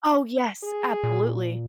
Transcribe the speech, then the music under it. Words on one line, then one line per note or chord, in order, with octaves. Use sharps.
Oh, yes, absolutely.
G#4
A#2